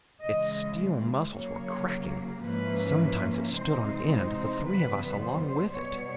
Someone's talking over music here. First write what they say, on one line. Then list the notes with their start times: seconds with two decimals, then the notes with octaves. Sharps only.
Its steel muscles were cracking. Sometimes it stood on end, the three of us along with it!
0.23 C#3 E3 G#3 D#5
1.34 C#3 F#3 A#3 C#5
2.44 G#2 F3 A#3 C#4 E4 B4
3.55 C3 E3 G#3 C4 D#4 C5
4.10 C5
4.65 F#2 C#3 E3 G3 B3 B4
5.20 C5
5.75 B2 G3 B3 C#5